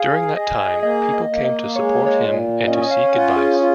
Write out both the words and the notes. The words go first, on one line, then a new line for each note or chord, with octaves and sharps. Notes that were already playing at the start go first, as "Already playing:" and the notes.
During that time people came to support him and to seek advice.
Already playing: G#4 F5
G#4 D#5
A#3 D#5
D#5
A#3
D#5
G#3 C#5
C#5
A#2
C#4 D#5
D#5
F5
F4 F#5
G#4
F4